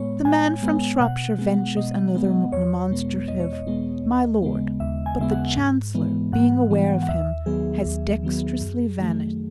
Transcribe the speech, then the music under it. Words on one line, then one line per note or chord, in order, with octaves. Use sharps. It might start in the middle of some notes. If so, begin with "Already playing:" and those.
The man from Shropshire ventures another remonstrative "My lord!" but the Chancellor, being aware of him, has dexterously vanished.
Already playing: A2 G#3 B3 C#5
A2 G#5
G#3 B3
B2 F#5
G#3 B3
B2 D#5
G#3 B3
E2 C#5
B2 G#3 B3
E2 D#5
C#5
D#5
B2 G#3 B3
D#2
C#3 G#3 B3
D#2 E5
G#5
C#3 G#3 B3 E5
F#5
G#2
E3 G#3 B3
G#2 F#5
E3 G#3 B3
F#5
D#2 E5
D#3 F#3 B3 G#4
D#2
D#3 F#3 B3
F#2
D#3 F#3 A3